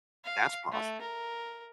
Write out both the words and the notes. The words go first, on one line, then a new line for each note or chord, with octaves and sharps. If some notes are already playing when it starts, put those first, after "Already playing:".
That's possible.
F5
A3
A#4